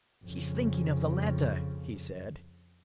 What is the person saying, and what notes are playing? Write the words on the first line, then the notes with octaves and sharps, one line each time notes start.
"She's thinking of the letter," he said.
F2 C#3